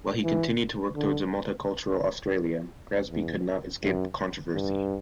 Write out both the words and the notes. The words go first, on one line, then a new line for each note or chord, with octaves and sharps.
While he continued to work towards a multicultural Australia, Grassby could not escape controversy.
E3
D3
E2
F#2
G2